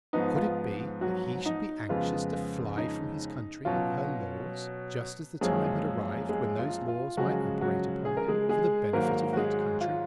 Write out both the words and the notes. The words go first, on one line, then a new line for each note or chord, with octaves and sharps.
Could it be that he should be anxious to fly from his country and her laws, just as the time had arrived when those laws might operate upon him for the benefit of that country?
G#2 F3 B3 D#4
F4
F#3 F#4
D#4
F2 C#3 G#3 B3 F4
D#4
B2 F#3 C#4 F4
F#2 F3 G#3 A#3 C#4 G#4
G#3 G#4
F4
F4
C#3 F3 F#3 G#3 C#4 F#4
F#3 F#4
G#4
A#4
G#3 G#4
G#3 G#4
G#2 D#3 F#3 A#3 A#4
F#4
G#3 G#4
F4